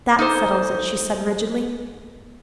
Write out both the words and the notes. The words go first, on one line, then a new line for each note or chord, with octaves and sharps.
"That settles it," she said rigidly.
D#4 A4 C5